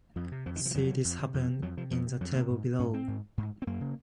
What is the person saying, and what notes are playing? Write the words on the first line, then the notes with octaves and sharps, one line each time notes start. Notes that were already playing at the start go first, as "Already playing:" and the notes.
See this happen in the table below.
F2 F3
C3
F2 F3
D#3
C3 F3
F3
F2 F#3
C3
F2
C3
F2
C3
F2 F#3
C3 F3
F2 F3
C3
F2 F#3
C3 A#3
G#2
G#2 C#4
C4
G#2
G#2
C4
F#2 A#3
C#3